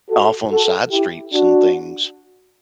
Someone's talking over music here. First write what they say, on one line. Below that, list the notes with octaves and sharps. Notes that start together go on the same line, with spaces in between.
off on side streets and things,
F#4 A4
F#4 A4
E4 G4
D4 F#4